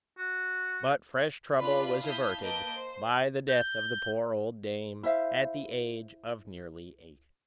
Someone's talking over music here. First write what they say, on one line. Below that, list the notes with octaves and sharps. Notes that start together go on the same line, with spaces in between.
But fresh trouble was averted by the death of the poor old dame at the age of nearly eighty.
F#4
D4 F4 B4 D5 B5
E4 F5 A5 D#6 G6 B6
A#3 B4 D#5 A5 G6 D7
C5
G6
E4 C5 E5 F5